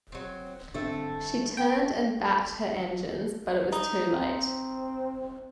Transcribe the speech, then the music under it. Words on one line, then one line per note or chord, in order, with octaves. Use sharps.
She turned and backed her engines, but it was too late.
F#3 C4
D3 A3 C4
G5
D#4
C4